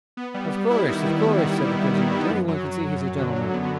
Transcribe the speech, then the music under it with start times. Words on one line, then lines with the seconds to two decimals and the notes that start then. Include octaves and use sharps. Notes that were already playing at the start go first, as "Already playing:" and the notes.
"Of course--of course," said the prisoners;--"any one can see he's a gentleman!"
0.17 B3
0.34 G3
0.52 B3
0.70 E4
0.88 D#3
1.05 G3
1.23 E4
1.41 G3
1.59 D#3
1.77 B3
1.94 D#3
2.12 B3
2.29 F#2
2.48 F#3
2.65 F#2
2.82 F#3
3.01 F#2
3.18 D3
3.36 F#3
3.54 B3